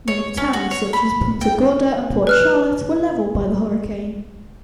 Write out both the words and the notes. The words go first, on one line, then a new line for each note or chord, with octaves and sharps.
Many towns such as Punta Gorda and Port Charlotte were leveled by the hurricane.
C#5
C#4
F#4
C#5
B5
G5
B4 F6 F#6